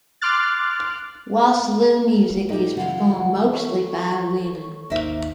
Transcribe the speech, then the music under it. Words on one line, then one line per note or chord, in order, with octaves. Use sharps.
Wassoulou music is performed mostly by women.
C6 D6 F6 F#6 A6
A#2 G3 A3 D#4 G4
C#3 E3 F#3 F4 F5 F#5
A4 C#5 C#6
G#1 D#2 A#3 D#4 C5 E5